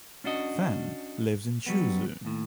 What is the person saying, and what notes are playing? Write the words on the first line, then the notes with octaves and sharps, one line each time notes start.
Fan lives in Suzhou.
C#4 D4 F#4 D#5
F#3 G3 B3
D#2 A2